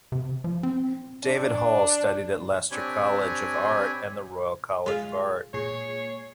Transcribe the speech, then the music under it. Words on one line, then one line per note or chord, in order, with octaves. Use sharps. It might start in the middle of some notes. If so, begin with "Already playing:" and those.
David Hall studied at Leicester College of Art and the Royal College of Art.
C3
F3
C4
D4
C4 D4 G4 C#5 G#5 B5
G#3 F4
A#2 G#4 C#5 C7